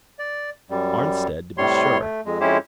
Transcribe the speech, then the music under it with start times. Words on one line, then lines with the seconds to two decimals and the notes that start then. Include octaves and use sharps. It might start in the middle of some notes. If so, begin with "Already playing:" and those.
"Arnstead, to be sure."
0.19 D5
0.70 F#2 G3
1.58 A2 C3 G3 C#5 C6
2.00 A3
2.25 F2 G#3
2.40 F2 G#3 C#4 E4 G4 C5